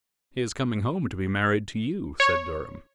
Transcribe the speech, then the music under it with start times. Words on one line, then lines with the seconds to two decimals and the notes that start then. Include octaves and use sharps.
"He is coming home to be married to you," said Durham.
2.20 C#5